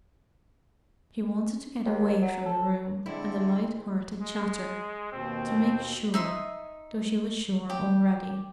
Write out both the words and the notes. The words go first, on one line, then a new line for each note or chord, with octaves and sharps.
She wanted to get away from the room, and the light-hearted chatter . . . to make sure, though she was sure already.
D#2
F#3
A4
D3 G#3 C4 E4
G#3
D#2 B2 C4
D#4 E5 C6 D#6
G4